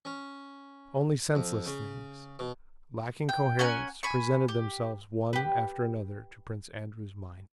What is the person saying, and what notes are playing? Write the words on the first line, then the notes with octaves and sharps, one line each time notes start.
Only senseless things, lacking coherence, presented themselves one after another to Prince Andrew's mind.
C#4
F2
C#3
B2
G5
C#4 A#4 F#5 G#5
G#5 B5 C#6
G4
G4 B4